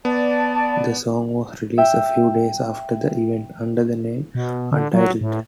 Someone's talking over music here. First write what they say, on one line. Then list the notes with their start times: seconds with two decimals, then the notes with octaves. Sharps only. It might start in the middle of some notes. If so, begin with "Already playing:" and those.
The song was released a few days after the event, under the name "Untitled".
0.05 B3 D5 A5
1.78 E5 G5
4.35 B2
4.72 D3
4.93 F#3
5.21 A2